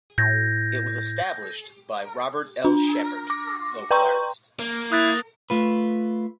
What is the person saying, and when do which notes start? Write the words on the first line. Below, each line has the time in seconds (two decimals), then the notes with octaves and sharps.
It was established by Robert L. Shepherd, local artist.
0.18 A2 G6 G#6 A#6
2.65 D4
3.30 D6 A#6
3.91 B4 G5 A#5 C6 C#6 G6
4.59 A#3
4.92 E4 D#6 F#6 A6
5.50 A3 F4 B4